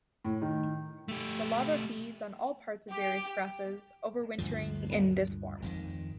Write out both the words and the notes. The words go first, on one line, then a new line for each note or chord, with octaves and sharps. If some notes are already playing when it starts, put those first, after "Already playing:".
The larva feeds on all parts of various grasses, overwintering in this form.
A2
D#3
A3 G4
G4
D2 G2 D3 F3
G#1 F2 D#3